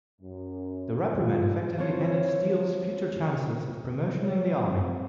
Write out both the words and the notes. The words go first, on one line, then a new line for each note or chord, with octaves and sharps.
The reprimand effectively ended Steele's future chances of promotion in the Army.
F#2
F4
D3 E3 C4 F4 C5 C#5
C#5
C4